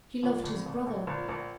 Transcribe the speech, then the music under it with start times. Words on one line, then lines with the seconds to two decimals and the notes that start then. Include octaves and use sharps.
She loved his brother.
0.23 A#1 F4
0.44 A#1
0.55 C4
0.66 A#1
0.87 A#1
1.07 A#1
1.18 F4
1.29 A#1